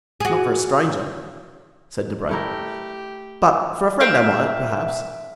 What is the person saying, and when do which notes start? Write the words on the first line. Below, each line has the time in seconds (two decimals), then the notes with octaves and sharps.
"Not for a stranger," said Debray, "but for a friend I might, perhaps."
0.20 F#4 G#4
2.29 A3 E4 G4 A#4
4.00 A#4 E5 F5 G5